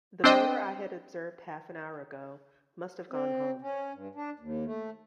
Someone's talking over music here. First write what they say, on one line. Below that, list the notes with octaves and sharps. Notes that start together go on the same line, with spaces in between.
The motor I had observed half an hour ago must have gone home.
C4 D4 C5 D#5 G5
C4
C#4
G2
D4
D#2
A3